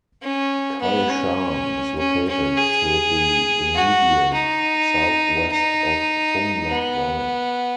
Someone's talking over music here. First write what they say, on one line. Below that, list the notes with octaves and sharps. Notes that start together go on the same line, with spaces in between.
Kai Shan is located to the immediate southwest of Fung Lok Wai.
C#4
B3
C#4
C#4
C#4
G#4
F#4
D#4
D#4
B3